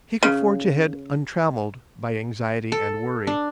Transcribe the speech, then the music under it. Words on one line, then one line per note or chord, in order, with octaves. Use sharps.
He could forge ahead untrammelled by anxiety and worry.
C#3
A4
D4